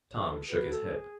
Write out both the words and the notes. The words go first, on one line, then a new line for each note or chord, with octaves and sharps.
Tom shook his head.
C#5
B4
A4
G#4
F#4 B4
A3 A4
G#4